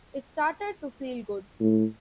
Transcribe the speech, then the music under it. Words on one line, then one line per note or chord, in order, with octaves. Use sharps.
It started to feel good.
A2